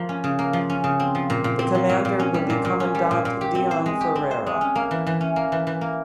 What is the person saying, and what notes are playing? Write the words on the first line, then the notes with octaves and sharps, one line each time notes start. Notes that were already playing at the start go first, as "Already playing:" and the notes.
The commander would be Commandant Deon Ferreira.
Already playing: F3 A#3
C#4
C#3
A#3
F3
C#4
C#3
C4
F3
A#2
A#2
C4
F3
A#2
A#2
C#4
G3
A#2
A#2
C#4
G3
A#2
A#2
G4
C4
C5
G#3
G4
C4
C5
G#3
C#4
A#3
E3
E3
C#4
A#3
E3
E3
A#3